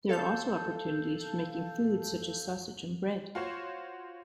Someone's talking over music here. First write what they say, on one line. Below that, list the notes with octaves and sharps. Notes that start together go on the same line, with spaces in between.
There are also opportunities for making foods such as sausage and bread.
A4 F5 A5 G6
F4 F#4 C5 C#5